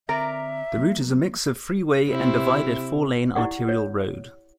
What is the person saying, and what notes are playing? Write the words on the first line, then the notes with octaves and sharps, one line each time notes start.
The route is a mix of freeway and divided four-lane arterial road.
D3 C4 A#4 D5 E5 A#5
F3 F#3 A#3
C3 C4 E4
E4 G4 D5 F#5
C#5